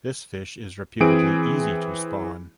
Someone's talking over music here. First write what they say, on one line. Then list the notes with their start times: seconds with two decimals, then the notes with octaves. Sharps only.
This fish is reputedly easy to spawn.
1.00 E3 C4 G#4 D7